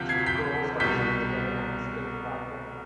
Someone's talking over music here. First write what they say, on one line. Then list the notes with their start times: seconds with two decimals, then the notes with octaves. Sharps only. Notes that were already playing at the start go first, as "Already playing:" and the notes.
Two girls are sitting together on a spinning platform.
Already playing: D2 C3 F3 G6 B6
0.09 G#6 C7
0.26 G6 B6
0.80 C2 B2 G3 G6 B6